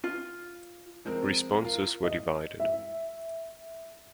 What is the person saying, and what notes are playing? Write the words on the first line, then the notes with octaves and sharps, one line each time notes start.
Responses were divided.
F4
F3 G#3 C4 A#4
F4 A#4
D#5
E5